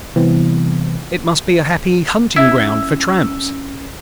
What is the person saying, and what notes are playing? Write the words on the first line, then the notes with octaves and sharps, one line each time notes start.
"It must be a happy hunting ground for tramps?"
C3 E3 G3 B3 C4
C#4 E4 E5 E6 G#6